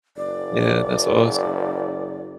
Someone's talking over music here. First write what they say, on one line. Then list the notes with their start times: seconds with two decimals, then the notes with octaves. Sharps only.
Yeah, that's awesome.
0.17 F#1 D5